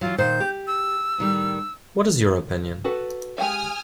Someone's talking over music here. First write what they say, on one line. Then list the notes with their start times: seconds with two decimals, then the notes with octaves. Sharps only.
What is your opinion?
0.01 E3 F#3 F4
0.18 A#2 D#3 C5 G6
0.40 G4
0.67 E6
1.18 A2 D#3 G3
2.84 F#4 A4 B4
3.38 G#3 G4 F5 G#5 D#6 F6